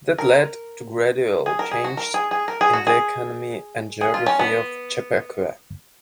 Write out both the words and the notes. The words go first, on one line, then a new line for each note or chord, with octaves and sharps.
That led to gradual changes in the economy and geography of Chappaqua.
A#4
G#4
A#4
G#4
F#4
A#4
G#4
G#4
A#4
G#4
F#4
G#4
G#4
F4
C#4
B3